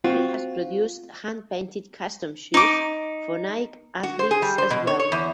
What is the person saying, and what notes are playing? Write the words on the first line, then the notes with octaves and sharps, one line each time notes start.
He has produced hand painted custom shoes for Nike athletes as well.
C4 F4 F#4
D#4 D6
F#4
C5
G#4
G3
C5
B2
C#5
C#5
E2